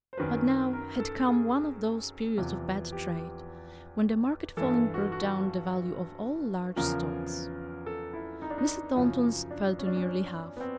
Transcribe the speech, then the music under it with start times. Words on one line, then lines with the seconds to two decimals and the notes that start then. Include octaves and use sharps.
But now had come one of those periods of bad trade, when the market falling brought down the value of all large stocks; Mr. Thornton's fell to nearly half.
0.13 C5
0.17 F#2 D#3 F#3 B4
0.73 A#4
1.00 A4
1.28 G#4
2.38 E2 C3 F3
2.92 G4
4.57 G2 E3 A4
4.94 F#4
5.12 F#4
6.76 E2 C#3 F3 A#4
7.86 A4
8.13 E4
8.42 D#4
8.50 D4
8.58 D#4
8.96 F#2 C#3 F3
9.51 D4
9.79 C#4
9.87 D4
9.96 C#4
10.56 B3
10.60 C4